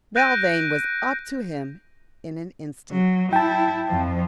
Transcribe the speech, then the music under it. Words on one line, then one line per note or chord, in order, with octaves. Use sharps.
Belvane was up to him in an instant.
F#6 G6 A#6 D7 D#7
F#3
E4 G5 A5
F2 F3